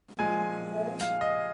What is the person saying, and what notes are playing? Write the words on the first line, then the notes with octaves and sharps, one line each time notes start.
The band consists of members of the bands Happy Diving and Big Bite.
A#2 F3 G#3 G#5
F5
D#5